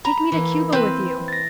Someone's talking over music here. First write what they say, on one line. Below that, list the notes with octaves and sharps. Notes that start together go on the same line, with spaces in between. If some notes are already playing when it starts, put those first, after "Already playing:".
Take me to Cuba with you!
A#5 B5
E3 A#3
C4 B4
A6 A#6